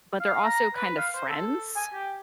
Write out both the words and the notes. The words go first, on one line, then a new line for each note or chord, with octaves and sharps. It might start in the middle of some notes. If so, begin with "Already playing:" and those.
but they're also kind of friends,
F5
A#5
B4
F5
C5
A4
G#5
G4